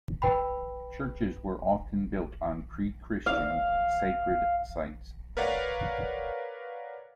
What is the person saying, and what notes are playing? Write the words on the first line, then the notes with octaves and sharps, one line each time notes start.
Churches were often built on pre-Christian sacred sites, though.
B4 G5 B5
F5
A#4 B4 C#5 D5 F5 F#5